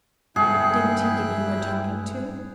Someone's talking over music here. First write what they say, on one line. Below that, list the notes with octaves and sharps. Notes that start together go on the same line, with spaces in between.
"Didn't he give you a talking to?"
G2 G#3 E4 G#4 A4 G5 F#6